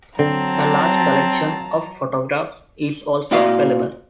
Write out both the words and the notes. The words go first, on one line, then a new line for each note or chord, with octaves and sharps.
A large collection of photographs is also available.
D3 F#3 C4 A5 A#5
A#2 E4 F#4 D5 F5